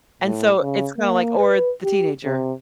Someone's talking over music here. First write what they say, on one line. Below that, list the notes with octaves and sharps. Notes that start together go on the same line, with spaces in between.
And so, it's kinda, like or the teenager
A2
C#3
A#3
B4
G4
C3